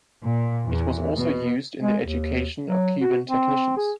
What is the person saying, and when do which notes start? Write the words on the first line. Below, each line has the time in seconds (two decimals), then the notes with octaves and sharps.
It was also used in the education of Cuban technicians.
0.23 A#2
0.68 E2
1.18 B2
1.82 G#3
2.04 D#2
2.69 F#3
3.01 F#4
3.29 C4
3.77 G#4